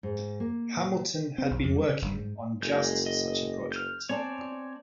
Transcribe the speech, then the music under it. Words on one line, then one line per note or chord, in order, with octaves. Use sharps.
Hamilton had been working on just such a project.
G#2
A#3
A#2
C4
B1
F2
G3
C#3
G1
G#2
F#1 G#3 G6
D#5
F6 G6
C4 C#5 D5 G#5 A5